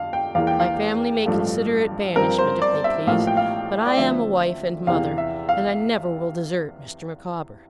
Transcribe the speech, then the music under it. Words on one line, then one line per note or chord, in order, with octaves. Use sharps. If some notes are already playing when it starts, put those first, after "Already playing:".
My family may consider it banishment, if they please; but I am a wife and mother, and I never will desert Mr. Micawber.'
Already playing: F2 D3 F5
G5
E2 E3 A#3 F5
G5
F5
A1 G2 F3 A3
G2 F3 C4 A#4
C5
D5
E5
A1 A2 F3 A#3 E4 F5
G5
F5
D5
D2 D3 F3 C4 E5
E2 C3 E3 F5
E5
F5